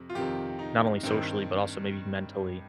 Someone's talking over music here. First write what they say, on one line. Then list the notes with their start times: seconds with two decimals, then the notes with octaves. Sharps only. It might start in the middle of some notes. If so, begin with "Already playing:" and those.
not only socially, but, also maybe mentally.
Already playing: F2 C3
0.10 F4
0.15 F2 C3 D#3 G4
0.59 D#4
1.03 G2 D#3 C4